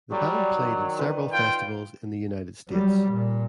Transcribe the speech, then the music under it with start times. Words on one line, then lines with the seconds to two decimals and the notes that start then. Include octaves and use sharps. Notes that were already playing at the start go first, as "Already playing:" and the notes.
The band played in several festivals in the United States.
0.12 F#3 G3 D5
0.56 D#3
0.99 B4
1.33 F4 G5
2.69 F#3 G3
3.10 A#2